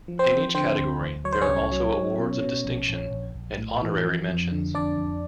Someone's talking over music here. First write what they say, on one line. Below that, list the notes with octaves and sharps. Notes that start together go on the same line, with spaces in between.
In each category, there are also Awards of Distinction and Honorary Mentions.
F3
C4 C5
F3
D3 C4 C5
D2
D2
F#3 C#5
C5
C#4 C#5
C2
F#3
F#3
B2
B2
A#1
A#1
A#1
A#1
A2
E3
F3
F2
D3
F2 D4 D5
F2